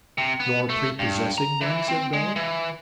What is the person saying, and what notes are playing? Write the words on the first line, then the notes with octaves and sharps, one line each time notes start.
'Nor prepossessing then?' said Bella.
C3
B3
A3
G2
A#5
E3
C4
G#3
E3